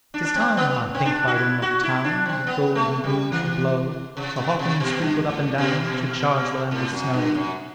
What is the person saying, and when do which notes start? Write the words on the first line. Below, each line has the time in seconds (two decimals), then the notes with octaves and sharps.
'Tis time, I think by Wenlock town The golden broom should blow; The hawthorn sprinkled up and down Should charge the land with snow.
0.14 D4
0.25 D4
0.35 C4
0.57 B3
0.94 C4
1.05 D4
1.27 F#4
1.34 E4
1.62 F#4
1.83 E4
2.04 D4
2.26 C4
2.47 B3
2.75 A3
3.04 G3
3.32 E3
4.17 C3
4.38 C3
4.59 C3
4.80 B2
5.01 G2
5.29 A2
5.58 B2
6.71 A2
6.92 F#2
7.13 G2
7.34 F#2